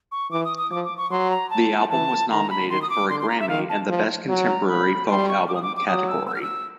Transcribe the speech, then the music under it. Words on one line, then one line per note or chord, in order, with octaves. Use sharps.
The album was nominated for a Grammy in the Best Contemporary Folk Album category.
C#6
E3 D6
D#6
D#6
F3 D6
D6
C#6
F#3 C6
A#5
A5
E3 A5
D#3 A#5
B5
D#3 C6
D#6
D6
D3 C6
C6
A#5
E5
D#3 F5
A5
F3
F#3
A#5
B5
G3 C6
C#6
D6
D#6
D6
D6
F#3 D#6
E6
E6
F6
E6